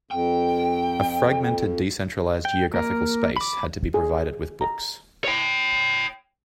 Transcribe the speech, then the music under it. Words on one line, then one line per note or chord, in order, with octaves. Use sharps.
A fragmented decentralised geographical space had to be provided with books.
F2 G5
G5
A#3 A#4
B5 D6
G#4
A#5
C#5 G5